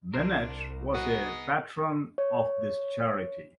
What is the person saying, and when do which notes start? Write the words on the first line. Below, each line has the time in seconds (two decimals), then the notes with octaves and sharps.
Bennett was a patron of this charity.
0.14 C2 D4 A#4 C5
0.94 G#3 B3 D#4 F#4 D#6
2.18 C#5